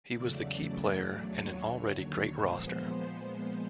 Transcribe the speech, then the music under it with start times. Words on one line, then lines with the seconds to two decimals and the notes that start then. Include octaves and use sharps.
He was the key player in an already great roster.
0.14 E2 C#3 F#3 A3 D5
1.24 D#2 D3 F#3 C#5
2.35 A#2 F3 G#3 B3 C5